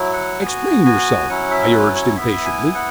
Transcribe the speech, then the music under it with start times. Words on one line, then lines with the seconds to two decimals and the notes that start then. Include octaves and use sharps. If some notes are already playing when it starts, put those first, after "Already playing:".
"Explain yourself," I urged impatiently.
Already playing: F#3 E4
0.13 F#5
0.42 B3 F#4 G#5
0.86 G#5
1.29 F#3 C#4 E4 F#5
1.51 E5
1.72 B4
1.95 C#5
2.16 B3 E4 E5
2.45 G#5
2.74 F#5